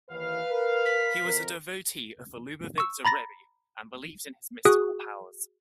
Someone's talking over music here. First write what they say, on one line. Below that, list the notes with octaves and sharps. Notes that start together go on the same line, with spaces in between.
He was a devotee of The Lubavitcher Rebbe and believed in his mystical powers.
D#2 E3 B4 F5
A#4
B6
F2 F3 A#4
C#6 E6
A#5 B5 A6 A#6
F#4 G#4 C#6 D#6 F#6